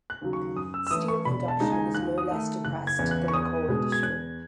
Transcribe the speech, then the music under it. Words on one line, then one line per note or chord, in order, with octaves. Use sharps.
Steel production was no less depressed than the coal industry.
F#6
D#2 C#3 F#3
C#6
F#2 D#6
E6
E6
E3 A3 C#4 D#6
C#6
E1 B5
A5
D#2 C#3 G#3 D#4
G#5
D#2 F#6
D#6
D#3 A3
F#1 F#6
G#6
E2 C#3 E3
F#6
C#6
E2 D#6
B2 G#3 C#4
G#6
E2 F#6